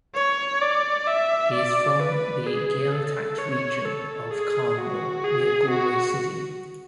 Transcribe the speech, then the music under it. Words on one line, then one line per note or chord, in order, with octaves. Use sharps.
He is from the Gaeltacht region of Carnmore, near Galway city.
C#5
D5
E5
D5
B4
G#4
A4
C#5
A4
G#4
F#4
G#4
F#4